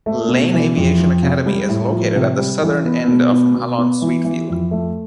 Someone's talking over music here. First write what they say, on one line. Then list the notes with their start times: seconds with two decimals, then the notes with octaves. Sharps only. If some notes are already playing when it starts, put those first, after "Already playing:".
Lane Aviation Academy is located at the southern end of Mahlon Sweet Field.
0.06 A3
0.29 B2
0.53 E3
0.76 F2
0.99 F3
1.22 C3
1.46 G3
1.69 A2
1.92 F3
2.16 C3
2.38 G3
2.62 E3
2.86 B3
3.08 B2
3.32 B3
3.55 B2
3.78 B3
4.02 E3
4.25 E3
4.49 F2
4.71 A3